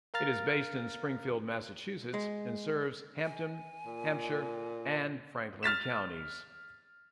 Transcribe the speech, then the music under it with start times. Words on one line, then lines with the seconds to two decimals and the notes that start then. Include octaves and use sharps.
It is based in Springfield, Massachusetts and serves Hampden, Hampshire, and Franklin counties.
0.14 A#4 F5 A#5 F6 A6
2.14 G#3
3.25 G#5
3.86 A#2
5.63 F6 A6 B6 E7